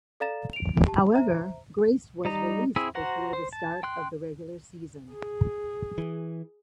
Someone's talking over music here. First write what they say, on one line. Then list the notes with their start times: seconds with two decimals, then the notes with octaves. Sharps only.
However, Groce was released before the start of the regular season.
0.20 A4 D5 F5 A#5 A6 E7
0.53 D7 F7
0.86 G4 A5
1.14 C5 E5 A#5
2.25 G3 D#4 A#5
2.76 C4 E4 G#4 E5
2.95 F#4 C5 F#5 A#5
3.33 C5
3.53 A5
3.83 G5 C6 F#6
5.12 G#4
5.98 E3